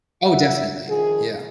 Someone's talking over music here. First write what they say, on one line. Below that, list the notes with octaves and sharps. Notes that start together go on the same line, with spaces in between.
Oh, definitely, yeah.
E5 F#5
D#3 F3 F4 G#4